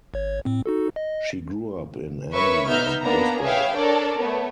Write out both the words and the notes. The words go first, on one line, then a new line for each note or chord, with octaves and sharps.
She grew up in Amby and Brisbane.
G#1 C#5
A2 C4
D#4 F#4 A4
D#5
A#4 B4 C#5 E5 B5 C#6
B3 D#4 E5 F6 G6
A#3 B3 D4 A#5
G#4 B4 C#5 E5 F5 G5
D4 A4 A#4 C#5 D5
A3 B3 C#5